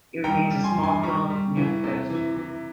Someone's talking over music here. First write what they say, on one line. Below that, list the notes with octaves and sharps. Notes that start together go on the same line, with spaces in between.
It remains a small hill near the coast.
G3 G5 A#5
G3
G#5 C6
G2
G#5 C6
G3 A#5 C#6
G3
E3
C3
E3
E3